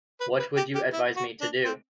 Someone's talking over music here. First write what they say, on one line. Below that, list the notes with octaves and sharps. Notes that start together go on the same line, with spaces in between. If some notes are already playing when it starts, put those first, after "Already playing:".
What would you advise me to do?
B4
B4
G4
G4
E4
F#4
D4
C4